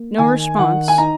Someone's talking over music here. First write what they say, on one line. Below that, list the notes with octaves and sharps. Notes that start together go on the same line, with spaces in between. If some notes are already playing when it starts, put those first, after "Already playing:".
No response.
Already playing: A#3
D#3 G#5
D#3 F#5
G#5
D#4 A#5